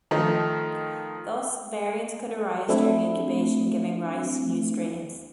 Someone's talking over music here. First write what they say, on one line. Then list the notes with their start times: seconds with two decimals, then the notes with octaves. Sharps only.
Thus, variants could arise during incubation, giving rise to new strains.
0.11 D#3 F3 A3 D#4
2.69 A3 C4 D4 E4